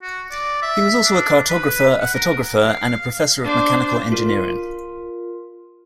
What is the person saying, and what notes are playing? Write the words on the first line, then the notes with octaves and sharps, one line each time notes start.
He was also a cartographer, a photographer and a professor of mechanical engineering.
F#4
D5
E5
D4
B4
F#5
A#4
F5
D4 C5
F4 A#4